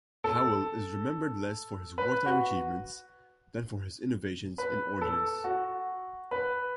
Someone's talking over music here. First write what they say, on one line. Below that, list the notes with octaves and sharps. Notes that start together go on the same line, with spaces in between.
Howell is remembered less for his wartime achievements than for his innovations in ordnance.
A4
B4
F#4
B4
A4
F#4
B4